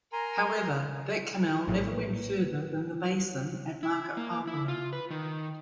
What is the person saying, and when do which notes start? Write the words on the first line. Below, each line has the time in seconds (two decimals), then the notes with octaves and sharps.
However, that canal never went further than the basin at Market Harborough.
0.13 A#4 G#5 A#5 C6
1.67 A#1 A2
1.88 A#3 B4
3.83 E4
4.17 A#3
4.47 E4
4.68 F4
4.93 B4
5.11 D#3